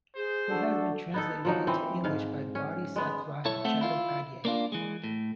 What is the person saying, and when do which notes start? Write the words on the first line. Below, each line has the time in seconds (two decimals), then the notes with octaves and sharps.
It has been translated into English by Bodhisattva Chattopadhyay.
0.16 G#4 C5
0.48 D4 F#4 A4
1.14 B3 D#4 A4
1.45 F3 F#3 D#4
1.67 E3 C4
2.04 G#2 F5
2.55 C#4
2.96 G#3 B3
3.45 B1 G2 E4 A4 C#5
3.65 A3 C4 A4 E5 F#5
3.81 E4 F4
4.45 A#3 D4 F4
4.72 E3 G#3
5.04 A2